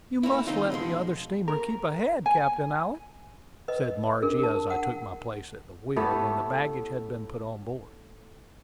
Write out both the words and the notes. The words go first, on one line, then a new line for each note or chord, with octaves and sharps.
"You must let the other steamer keep ahead, Captain Alick," said Margie, as I took my place at the wheel, when the baggage had been put on board.
A3 A#3 C#4 E4
D#3 A3 C4 D#4 F4
B2 F3 G#3 C6
A#4
G#5
B4 D#5
D4 G#4 A#4
A5
F#5
A2 A3 B3 G4